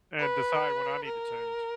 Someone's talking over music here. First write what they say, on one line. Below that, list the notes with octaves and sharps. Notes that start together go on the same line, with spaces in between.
and decide when I need to change.
B4
A#4